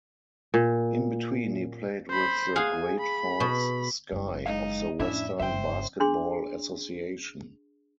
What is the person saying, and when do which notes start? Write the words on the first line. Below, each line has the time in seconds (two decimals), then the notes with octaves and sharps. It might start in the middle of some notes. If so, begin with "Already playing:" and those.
In between, he played with the Great Falls Sky of the Western Basketball Association.
0.54 A#2
2.09 C5 B5
2.56 G#4 F5 F#5 G#5
3.00 B5
3.40 B2
4.12 F#1 E4
4.46 G#2 D#4 F5
5.00 F2 A2 C#4 D4 E4 E5
5.40 F#1 G2 C5 E5 G5
6.00 D4 G#4 C6